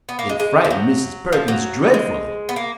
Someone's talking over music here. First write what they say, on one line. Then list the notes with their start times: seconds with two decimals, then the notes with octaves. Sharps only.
It frightened Mrs. Perkins dreadfully.
0.09 B3
0.19 A#3
0.29 G#3
0.40 G#3
0.65 F3
0.71 F#3
1.32 F3
1.48 F#3
1.94 G#3
2.49 B3
2.56 A#3